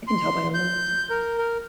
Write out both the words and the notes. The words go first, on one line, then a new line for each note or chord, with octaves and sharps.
I can tell by your loyalty.
C6
G6
A#4
A#4